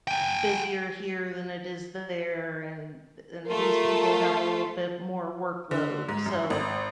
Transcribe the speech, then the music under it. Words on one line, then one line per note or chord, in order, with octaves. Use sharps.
it's busier here than it is there, and and these people have a little bit more workload, so
G5 G#5
A3 F4 A#4
D3
G#2
F#2
G#1